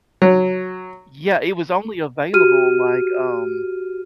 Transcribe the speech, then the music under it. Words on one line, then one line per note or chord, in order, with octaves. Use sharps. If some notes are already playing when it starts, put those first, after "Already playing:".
Yeah. It was only available, like, um
F#3
F#4 G4 F6 D#7